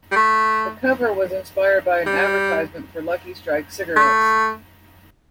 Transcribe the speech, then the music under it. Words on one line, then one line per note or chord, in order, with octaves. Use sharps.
The cover was inspired by an advertisement for Lucky Strike cigarettes.
G3
A3
G3
A3